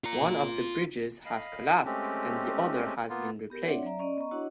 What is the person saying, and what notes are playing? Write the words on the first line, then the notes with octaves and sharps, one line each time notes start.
One of the bridges has collapsed and the other has been replaced.
F4 A#5
D#5 F5 B5
G#3 A3 C4 C#4 G4
A#3 B3 F4
B3 G4 A#4
C4 D4 C#5 D5 E5 F#5
F#3 D5 E5 A#5
C#4 D5 D#5
B3 D#5 A#5 C#6
D4 E4 F#4 C#5 D#5 F#5